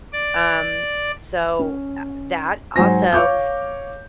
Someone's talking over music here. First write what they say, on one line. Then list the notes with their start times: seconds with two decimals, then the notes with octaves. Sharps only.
Um, so, eh, that also
0.13 D5
1.59 C#4
2.76 G#2 F#3 F#4 C5 G#5 A#6
3.13 C#5 F5 C#6 D6 G6